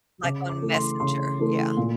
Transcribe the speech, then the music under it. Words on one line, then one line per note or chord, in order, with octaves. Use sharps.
Like, on Messenger. Yeah.
C#3 D6
D6
E3 A3
C6
C#3 C6
E3 A3
A#2